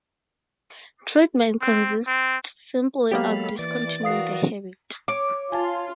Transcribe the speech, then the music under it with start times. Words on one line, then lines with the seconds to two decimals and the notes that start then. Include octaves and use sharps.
Treatment consists simply of discontinuing the habit.
1.62 C4
2.07 C4
3.11 F#3 G#3 A#3 B3 G4 A4 F5 B5
3.59 E3 D5 D6 A6
4.03 F#4 A#4 F5 D#6 C7
5.08 C#5 D6
5.52 F4 G#5 A5